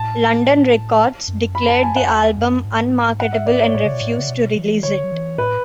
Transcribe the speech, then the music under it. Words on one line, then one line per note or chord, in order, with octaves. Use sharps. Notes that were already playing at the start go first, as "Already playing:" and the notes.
London Records declared the album unmarketable and refused to release it.
Already playing: A2 A5
F#2
B5
A5
G#5
G#2 F#5
F#2
E2
F#2
G#2
F#5
E5
D5
C#5
A2 C#5
C#3
B2
A2
C#3
B2
E3
D3 C#5
F#3
E3
A2 B4